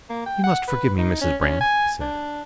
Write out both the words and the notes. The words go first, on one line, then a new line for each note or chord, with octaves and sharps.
"You must forgive me, Mrs. Brand," he said.
A#3
G5
F#5
B4
D#4
C#4
C#4
G#5
D4